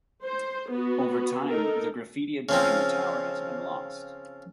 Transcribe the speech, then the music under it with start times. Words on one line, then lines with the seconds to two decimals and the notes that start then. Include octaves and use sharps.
Over time the graffiti adorning the tower has been lost.
0.23 C5
0.70 B3 F#4
1.48 D#4 A4 A#4
2.49 C#3 F3 C4